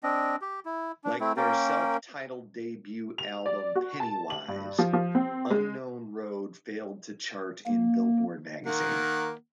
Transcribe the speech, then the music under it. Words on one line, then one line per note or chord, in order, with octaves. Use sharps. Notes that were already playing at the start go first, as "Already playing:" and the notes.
Like their self-titled debut album "Pennywise", "Unknown Road" failed to chart in Billboard magazine.
C4 D4 D#5
G4
E4
D4
A3 C4 E4
A#3 C#4 A#4 G5
F7
D5
F#4
A5
F#7
G2
F3
F3
C4
G#3
A#3
D#3 A#3 F#5